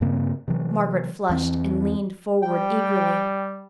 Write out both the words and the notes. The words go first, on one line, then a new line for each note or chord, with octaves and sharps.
Margaret flushed and leaned forward eagerly.
G2 C#3 A#3 C4
C3 E3 F#3
E2 E3 B3 C4
G3 G5